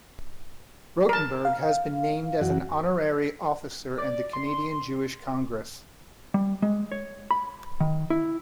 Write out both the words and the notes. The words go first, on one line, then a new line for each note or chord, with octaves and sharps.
Rotenberg has been named as an honorary officer in the Canadian Jewish Congress.
A#4 A5
F5
F#2 E3 F#4
D5
C6
G3
G#3
C#5
B5
D#3
E4